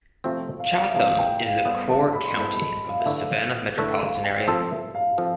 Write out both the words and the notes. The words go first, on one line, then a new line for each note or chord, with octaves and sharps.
Chatham is the core county of the Savannah metropolitan area.
C3 F3 A3 C4 F4 E5
F5
E5
C3 F3 A3 C4 F4 F5
G5
F5
G3 B3 E4 A4 C5
A5
B5
C6
G3 B3 E4 A4 C5 B5
B5
F5
E5
D3 A3 E4 B4 F5
D3 A3 E4 B4 E5
F5
G5
F3 C4 F4 A4 A5
E5
F5
F3 C4 F4 A4